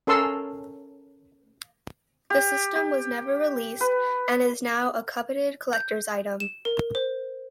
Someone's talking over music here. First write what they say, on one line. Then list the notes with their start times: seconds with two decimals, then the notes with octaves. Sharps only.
The system was never released, and is now a coveted collector's item.
0.07 C#4 A4 A#4 C6 E6
2.30 G4
2.75 G4
3.80 B4
5.73 G6
6.40 E7
6.65 A#4
6.95 C5